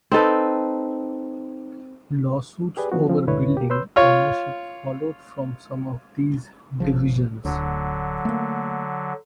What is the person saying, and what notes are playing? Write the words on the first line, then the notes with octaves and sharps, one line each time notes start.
Lawsuits over building ownership followed from some of these divisions.
C4 D#4 A4 B4
G4 G#4 B4 D5
D3 D#3 F3 B3 F#4
F3 C4
D2 G#2 D3 E4 B4 C#5
A#3 G4
B4 C#5 C6 E6 G6
F4 C#5
G1 C#3 F3
D1 D2 D3 F#3
A3 A#3